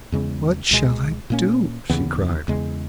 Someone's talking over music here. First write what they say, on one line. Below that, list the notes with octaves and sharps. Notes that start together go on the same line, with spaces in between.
"What shall I do?" she cried.
E2 C#3 G#3 C#4
C#2 B2 G#3
A#2 A#3 C#4
D#2 C#3 E3 B3
E2 C#3 G#3